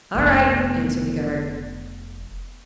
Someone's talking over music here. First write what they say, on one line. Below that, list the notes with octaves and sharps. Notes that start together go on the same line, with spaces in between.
"All right," answered the guard.
F1 B3